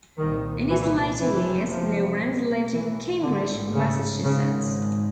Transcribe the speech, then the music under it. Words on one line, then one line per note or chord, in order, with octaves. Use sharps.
In his later years, Lorenz lived in Cambridge, Massachusetts.
C2 A#2 D#3
E3
F#1 F2 C3 E3
F3
B1 A2
E3
A1 G#2 D3
C#3
G#1 G#2 C#3